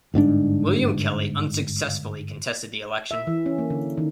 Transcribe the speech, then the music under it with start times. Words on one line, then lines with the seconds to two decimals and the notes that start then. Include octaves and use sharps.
William Kelly unsuccessfully contested the election.
0.14 G1 G#2 C4 D4
3.11 E5
3.27 E3
3.46 C#4
3.58 A#3
3.70 D3
3.98 D#3